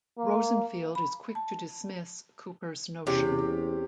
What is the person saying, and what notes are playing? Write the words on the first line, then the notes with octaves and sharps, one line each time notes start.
Rosenfield is quick to dismiss Cooper's notion.
A#3
B5
A5
E2 C3 C#4 G4